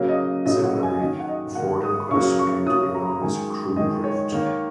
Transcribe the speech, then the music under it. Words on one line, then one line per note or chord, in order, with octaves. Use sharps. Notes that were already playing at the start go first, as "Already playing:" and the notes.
Similarly, the ford in question came to be known as "Kroondrift".
Already playing: C#3 F#3 A#3
D#5
C#3 F#3 A#3 D#5
F#5
G#5
D#3 A#3 D#5
F#5
D#5
D#3 A#3 F#5
D#6
C#3 F#3 A#3 C#6
C#6
C#3 F#3 A#3 D#6
A#5
D#3 G#3 G#5
D#3 G#3 D#5
C#5
D#3 A#3 C#5